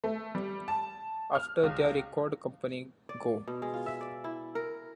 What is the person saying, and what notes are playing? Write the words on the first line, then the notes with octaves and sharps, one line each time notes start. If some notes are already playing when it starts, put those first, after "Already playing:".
After their record company Go!
A3
G3
A5
F6
C#2
D5
B2
G#3
F4
E5
D5
E4
A#4